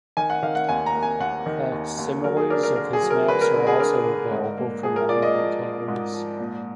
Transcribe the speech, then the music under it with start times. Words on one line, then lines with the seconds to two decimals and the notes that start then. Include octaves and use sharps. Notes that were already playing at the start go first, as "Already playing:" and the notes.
Facsimiles of his maps are also available from many retailers.
0.17 D#3 G#5
0.30 F#5
0.43 D#3 F5
0.55 F#5
0.69 D#2 G#5
0.86 A#5
0.95 A#3
1.03 G#5
1.20 D#2 F#5
1.46 D#3
1.72 D#2
1.98 D#2
2.24 F#3 A#4
2.37 G#4
2.50 D4 A#4
2.63 A#4
2.76 D3 A#4
2.93 G#4
3.02 F#3
3.10 A#4
3.28 D3 B4
3.41 A#4
3.54 D3
3.67 G#4
3.79 D4 A#4
4.05 D3
4.31 G#2
4.58 A#3
4.83 F3 G#4
4.96 A#4
5.09 F4 D5
5.22 D#5
5.36 F3
5.62 F4
5.88 G#2
6.14 F3
6.40 A#2